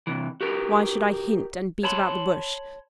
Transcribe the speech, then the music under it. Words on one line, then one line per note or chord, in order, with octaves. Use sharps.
Why should I hint, and beat about the bush?
C3 E3
F#4 G4 A#4
C#5 A5 B5 C6